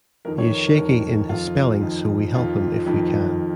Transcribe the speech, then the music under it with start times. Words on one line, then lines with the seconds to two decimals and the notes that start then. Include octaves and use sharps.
He is shaky in his spelling, so we help him if we can.
0.25 F2 D#3 A#4
0.38 C#5
0.51 A#4
0.64 A#4
0.77 F2 D#3 A#4
1.29 F2 D#3 F4
1.82 F2 D#3
2.34 F2 D#3 F4
2.86 F2 D#3